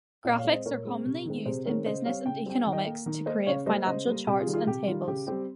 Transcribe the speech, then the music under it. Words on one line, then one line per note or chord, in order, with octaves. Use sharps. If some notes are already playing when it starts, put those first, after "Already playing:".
Graphics are commonly used in business and economics to create financial charts and tables.
A#2 D#5 G5
C#5 F5
G#3 C4
C5 D#5
A#2 A#4 C#5
G#3 C4
C3
D#3 G#3 C4
C3 G#4 C5
D#3 G#3 C4 A#4 C#5
C#3 C5 D#5
G3 C4 C#5 F5
C#3 G5
G3 C4 G5
D#3
D#5 G5
A#3
D#3
A#3 C5 D#5
C#3 C#5 F5
G3 A#3 C5 D#5
C#3 C5 D#5
G3 A#3
C3 G4
F4 G#4
D#3 G3
F4 G#4
C3 G4
D#3 G3 F4
C#3 G4
G3 C4 G4